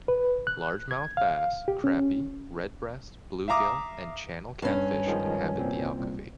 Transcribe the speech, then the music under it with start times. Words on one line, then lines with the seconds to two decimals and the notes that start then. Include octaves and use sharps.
Largemouth bass, crappie, red breast, bluegill, and channel catfish inhabit the Alcovy.
0.08 B4
0.47 F#6
0.91 G#6
1.17 F5
1.68 G4
1.84 C#4
3.48 E5 F5 A#5 D6 D#6
4.62 G2 C#4
5.06 D#3 F3 G#3
5.55 C2 A#2 C4